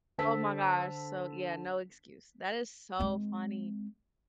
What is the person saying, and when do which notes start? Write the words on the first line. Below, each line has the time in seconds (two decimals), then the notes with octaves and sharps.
Oh my gosh. So, yeah, no excuse. That is so funny.
0.18 D3 C5 A5 E6 B6
3.00 G#3 C4